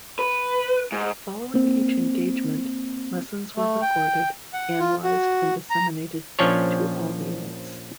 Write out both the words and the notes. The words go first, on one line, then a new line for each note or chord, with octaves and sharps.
Following each engagement, lessons were recorded, analyzed and disseminated to all units.
B4
G#2
A#3 C4
A3
G5
F#5
F4
F#4
A#5
A#1 F3 C#4 D4 C#5